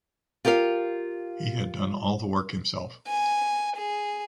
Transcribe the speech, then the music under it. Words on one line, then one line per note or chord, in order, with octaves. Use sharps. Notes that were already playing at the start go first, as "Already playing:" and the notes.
He had done all the work himself.
F4 G4 A#4 D#5 F5
G#5
G#4